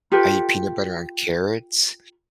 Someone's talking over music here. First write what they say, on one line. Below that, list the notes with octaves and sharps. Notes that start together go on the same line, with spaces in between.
I eat peanut butter on carrots,
F4 G4 A4 B4